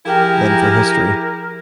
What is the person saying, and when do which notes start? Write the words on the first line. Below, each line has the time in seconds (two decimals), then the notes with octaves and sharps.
than for history.
0.05 F3 E4 G4 G#4 A#4 G5